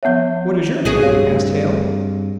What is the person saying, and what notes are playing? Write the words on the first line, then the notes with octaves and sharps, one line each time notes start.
"What is your name?" asked Hale.
F3 B3 C#5 E5 F#5 G6
B1 B2 D#3 F#4 G#4
G2 C4 G4 C#5 F5
A3